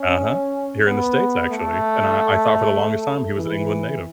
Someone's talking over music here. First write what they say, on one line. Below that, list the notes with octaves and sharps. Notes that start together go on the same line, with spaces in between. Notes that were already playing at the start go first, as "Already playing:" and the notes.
Uh-huh, here in the states actually, and I I thought for the longest time he was an England native,
Already playing: C#4
B3
A3
E3